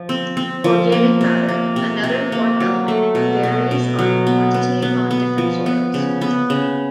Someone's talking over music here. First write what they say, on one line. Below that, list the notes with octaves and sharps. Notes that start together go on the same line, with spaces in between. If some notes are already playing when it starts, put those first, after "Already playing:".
Organic matter, another important element, varies on quantity on different soils.
Already playing: F3
C4
C4
F3
A#3
C3
A#3
C3
C3
A#3
F#3
A3
B2
B2
B2
F#3
B3
B3
B3
B3
F3
B3
C#3
B3
C#3